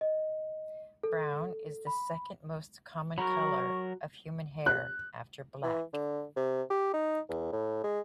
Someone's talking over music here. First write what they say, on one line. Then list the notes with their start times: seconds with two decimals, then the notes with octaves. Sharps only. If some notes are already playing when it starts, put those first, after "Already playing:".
Brown is the second most common color of human hair, after black.
0.01 D#5
1.03 A4
1.87 B5
3.18 F#3 F#4 A#4 A#5 B5 C#6
4.66 F#6
5.63 E3
5.93 D3
6.36 C3
6.70 G4
6.94 D#4
7.29 E2
7.52 A2
7.84 G#3